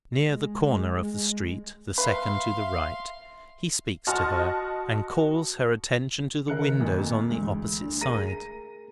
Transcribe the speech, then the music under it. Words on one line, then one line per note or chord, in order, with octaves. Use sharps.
Near the corner of the street the second to the right, he speaks to her, and calls her attention to the windows on the opposite side.
G#3
B4 E5 F5 C6
F#4 D#5 A5 C6 F6
D#3 A#4 F#6 C#7
F2 A#2
D2 E3 G#3
A3 D4
G#4 A#4 A#5 A#6 D#7